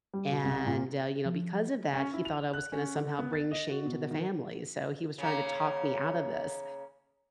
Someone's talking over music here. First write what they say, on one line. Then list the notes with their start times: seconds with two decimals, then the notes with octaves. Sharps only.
and, uh, you know, because of that, he thought I was gonna somehow bring shame to the family, so he was trying to talk me out of this,
0.14 G3
0.29 B2
0.44 C2
0.66 A#2
1.26 F3
1.93 C#4
2.14 E4
2.25 F7
2.53 F#6
2.72 C#4
2.95 D3
3.19 B3
3.33 A6
3.51 D#5
3.70 F#4
3.86 B2
4.11 D#3
5.18 C#3 A#3